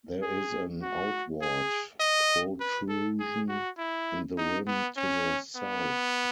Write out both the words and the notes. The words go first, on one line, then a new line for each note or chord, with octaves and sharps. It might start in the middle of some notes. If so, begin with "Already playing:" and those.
There is an outward protrusion in the rim to the south.
G#4
F#4
G#4
D#5
B4
A4
G#4
F#4
E4
D#4
B3
C#4
B3